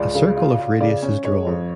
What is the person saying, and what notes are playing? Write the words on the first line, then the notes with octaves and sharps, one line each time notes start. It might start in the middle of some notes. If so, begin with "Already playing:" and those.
A circle of radius is drawn.
Already playing: C#2 D5
C#3
F4
F4
C#3 D5
C#4
G#3 C#5
F2